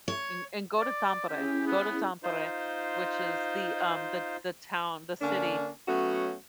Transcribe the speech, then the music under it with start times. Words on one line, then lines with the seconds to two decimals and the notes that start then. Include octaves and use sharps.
And and go to Tampere, go to Tampere, which is the, um, the the town, the city
0.08 C#5
0.79 D5
1.29 C#4 E4 G4 G#4
1.67 B3
2.23 D#4 F4 C5
5.21 D3 A#3 C#4 D4
5.88 F#3 A3 B3 C#4 F#4